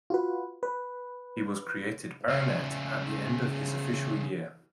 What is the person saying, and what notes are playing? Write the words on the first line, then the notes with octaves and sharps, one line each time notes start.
He was created Baronet at the end of his official year.
F4 F#4 B4
B4
C#3 A3